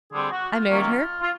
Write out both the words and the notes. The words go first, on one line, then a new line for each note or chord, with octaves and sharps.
I married her.
D3 G3 C4 G#4
F#4
F4
D#3 F#3 A#3 C#4
F4